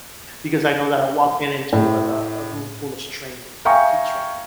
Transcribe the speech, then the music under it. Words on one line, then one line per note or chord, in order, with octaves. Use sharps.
because I know that I walk in into a a a room full of strangers, complete strangers.
A2
E5 F5 G5 G#5 A#5 C#6